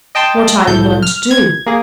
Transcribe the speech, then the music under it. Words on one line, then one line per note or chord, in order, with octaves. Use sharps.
What are you going to do?
D#5 G5 A5 C6
C2 A2 A4 G6
F6
G#6
A#3 G#4